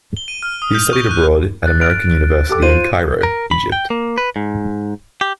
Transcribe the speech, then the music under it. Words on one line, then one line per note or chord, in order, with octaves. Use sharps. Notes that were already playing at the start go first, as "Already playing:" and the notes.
He studied abroad at American University in Cairo, Egypt.
G7
D#7
F6
D#6
G6
C#6
F#6
F#6 A6
F6 D7
G4 A4 D6
F4 C5 D#7
A#4
B5
G5
A#3
B4
G#2
G4